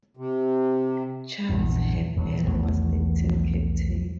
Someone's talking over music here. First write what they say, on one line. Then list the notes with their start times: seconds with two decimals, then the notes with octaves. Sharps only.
Charles Hubbell was the team captain.
0.17 C3
1.49 A#1 E2 G2
2.16 D#1 D#2 F#3
2.47 B1 E2 A3 B3